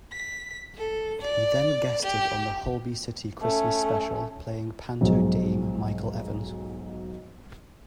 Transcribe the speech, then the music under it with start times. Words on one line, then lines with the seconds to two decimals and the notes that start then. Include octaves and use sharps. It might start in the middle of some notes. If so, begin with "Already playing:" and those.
He then guested on the Holby City Christmas Special, playing panto dame Michael Evans.
0.12 B6
0.77 A4
1.22 D5
2.03 G4
3.42 A3 C#4
5.01 B1 G#2 F3 F#3